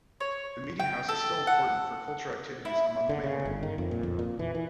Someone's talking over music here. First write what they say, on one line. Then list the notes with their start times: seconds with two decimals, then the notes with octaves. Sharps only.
The meeting house is still important for cultural activities among the Maori.
0.20 C#5
0.80 G5
1.09 A4
1.47 F#5
2.65 E4
3.09 D3
3.24 C#3
3.45 G1
3.63 D#3
3.78 F2
3.91 A#2
4.03 F2
4.19 A#2
4.39 E3
4.55 E3